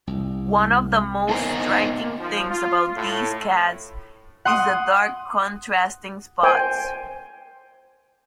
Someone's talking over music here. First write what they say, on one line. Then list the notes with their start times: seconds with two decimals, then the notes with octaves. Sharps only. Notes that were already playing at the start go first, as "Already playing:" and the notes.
One of the most striking things about these cats is the dark contrasting spots.
0.07 C2
1.29 B3 D#4 A#4 C5 D#5 G#5
2.20 F3
2.50 F4
2.96 A2
4.45 F#5 C6 D#6
6.43 C5 G5 G#5